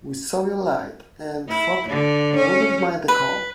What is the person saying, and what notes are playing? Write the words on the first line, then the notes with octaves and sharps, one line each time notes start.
We saw your light, and thought you wouldn't mind a call.
E4
D3
C#4
B4